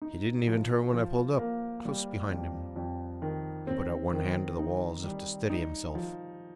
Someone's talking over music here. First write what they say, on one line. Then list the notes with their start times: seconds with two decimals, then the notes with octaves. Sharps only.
He didn't even turn when I pulled up, close behind him; he put out one hand to the wall, as if to steady himself.
0.02 D#4
0.47 F3
0.93 F3
1.39 A#3
1.85 G3
2.30 F2
2.76 F2
3.22 D#3
3.67 C4
4.13 D#3
4.59 D#4
5.04 G3
5.50 D#4
5.95 F3